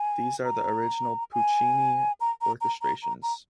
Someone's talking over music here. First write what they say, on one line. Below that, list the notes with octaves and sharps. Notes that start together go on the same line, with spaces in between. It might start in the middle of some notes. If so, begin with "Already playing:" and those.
These are the original Puccini orchestrations.
Already playing: G#5
A#5
G#5
A#5
A#5
A#5
A#5
A#5
A#5